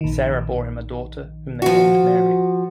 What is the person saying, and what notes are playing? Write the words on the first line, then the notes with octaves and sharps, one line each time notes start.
Sarah bore him a daughter whom they named Mary.
A#1 D#3
F3 F#4